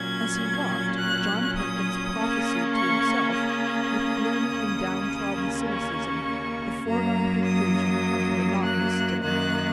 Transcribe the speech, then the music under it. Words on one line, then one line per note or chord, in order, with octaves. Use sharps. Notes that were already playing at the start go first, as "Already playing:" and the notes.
As he walked John Perkins prophesied to himself with gloomy and downtrodden cynicism the foregone conclusions of the monotonous day.
Already playing: A#2 F#3 C#4 G#6
F#6
D#6
C#3 A#3 C#4
C#6
D#6
D#2 C#3 A#3 C#4
C#6
F#2 F#3 A#3 A#5
D#6
F#6
F#2 D#3 A#3 F#6